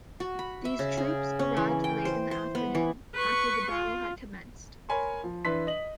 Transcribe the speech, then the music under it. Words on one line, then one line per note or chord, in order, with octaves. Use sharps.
These troops arrived late in the afternoon, after the battle had commenced.
F#4
B5
E5
C#3
G#4
C#4
E3
G5
C5
C5
B3
E3
B4 C#6
F4
A#4 C#5 G#5 B5 C6
F3
E3 D4 B4 E5 C6 B6
D#5 F#7